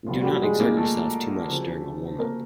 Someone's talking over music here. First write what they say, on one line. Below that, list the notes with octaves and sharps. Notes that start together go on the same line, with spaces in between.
Do not exert yourself too much during a warm-up.
C2 A#2 F3 G3 B3 F4
F#4
G3 G4
G#3 G#4
A#3 A#4
A3 A4
F#1 F#2 C#3 F3
A#3 A#4